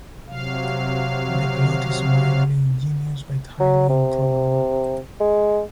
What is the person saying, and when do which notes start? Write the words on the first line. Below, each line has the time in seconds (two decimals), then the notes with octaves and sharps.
The plot is mildly ingenious but highly improbable.
0.27 C3 F#3 F5
3.60 F#3
3.89 C3
5.20 G#3